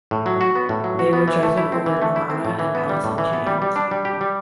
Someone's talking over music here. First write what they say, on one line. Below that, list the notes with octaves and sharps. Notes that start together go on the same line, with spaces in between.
They were chosen over Nirvana and Alice in Chains.
A2
F#3
F#4
B3
A2
F#3
F#4
B3
E3
A3
E4
C4
E3
A3
E4
C4
A2
E3
B3
G3
A2
E3
B3
G3
G3
D4
G3
G4
G3